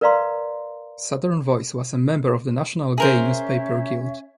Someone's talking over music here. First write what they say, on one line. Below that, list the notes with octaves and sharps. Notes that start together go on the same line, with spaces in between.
"Southern Voice" was a member of the National Gay Newspaper Guild.
A#4 B4 D5 F5 A#5 C6
C#4 G#4 A#4 C5 E5